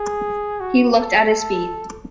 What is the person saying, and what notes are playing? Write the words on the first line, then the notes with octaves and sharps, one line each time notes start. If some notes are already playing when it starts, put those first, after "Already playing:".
He looked at his feet.
Already playing: G#4
F#4
A4
A4